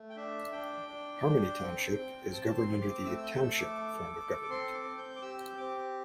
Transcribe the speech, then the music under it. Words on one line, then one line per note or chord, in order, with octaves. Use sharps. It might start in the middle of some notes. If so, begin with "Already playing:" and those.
Harmony Township is governed under the Township form of government.
Already playing: A3
G5
D4 E5
D4 G5
D4
D4
C4
C4
C4 A5
C6
C4
D6
A3 E6
E6
G6
A4 E6
D6
A4
A4
D6
C4 C6
D6
C4
G6
D6
G4 E6
G6
C4 D6